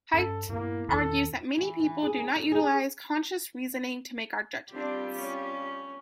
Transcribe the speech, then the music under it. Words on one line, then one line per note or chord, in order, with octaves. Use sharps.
Haidt argues that many people do not utilize conscious reasoning to make our judgments.
G2 C#4 A4
G2 A#2 A#3 B3 E4
E2 A#2 D#3 A4
E3
E3
G#4
D#4
D3
G#4
G3 C4 D4 F4 G4
C#4